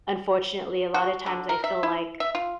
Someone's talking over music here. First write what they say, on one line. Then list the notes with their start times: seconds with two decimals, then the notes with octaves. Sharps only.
unfortunately, a lotta times, I feel like,
0.94 F#4
1.26 D3
1.49 A#4
1.64 E5
1.83 E4
2.20 E5
2.35 F4